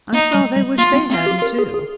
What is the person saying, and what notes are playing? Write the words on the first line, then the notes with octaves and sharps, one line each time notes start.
I saw they wished they hadn't too.
A#3 D#4
G3
G3
A#3 F4
C4
C4 F4
G4
A#4
G#4
G#4